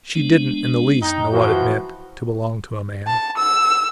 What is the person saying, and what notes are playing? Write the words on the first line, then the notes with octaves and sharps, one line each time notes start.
She didn't in the least know what it meant--to belong to a man.
G#3 B3 D4
F#2 D#4 G5
E3 F3 F#4
A5
E6